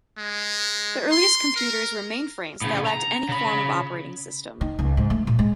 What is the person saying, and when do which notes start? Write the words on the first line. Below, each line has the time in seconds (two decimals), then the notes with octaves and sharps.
The earliest computers were mainframes that lacked any form of operating system.
0.18 G#3
1.11 C6
1.56 A#4
2.62 A2 C#3
2.86 A#5
3.29 C#3 B5
4.61 D#3
4.79 C#2
4.97 G#2
5.10 A3
5.27 A#2
5.39 G#3